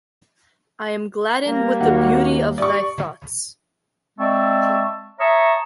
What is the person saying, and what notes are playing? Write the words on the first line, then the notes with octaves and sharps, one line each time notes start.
I am gladdened with the beauty of thy thoughts.
G3 A#3 A#5
D#2 F#4 F#5
G4 D5 C#6
G#3 C4 D5 E5 A5 C#6
C#5 E5 A5 A#5 C#6 D#6